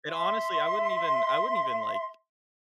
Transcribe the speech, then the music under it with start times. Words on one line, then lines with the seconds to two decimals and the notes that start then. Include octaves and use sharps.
And, honestly, I wouldn't even I wouldn't even, like,
0.08 E5 C6